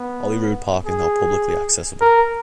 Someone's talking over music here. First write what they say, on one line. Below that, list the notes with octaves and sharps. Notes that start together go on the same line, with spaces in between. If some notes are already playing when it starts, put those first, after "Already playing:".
Holyrood Park is now publicly accessible.
Already playing: B3
G#4
A#4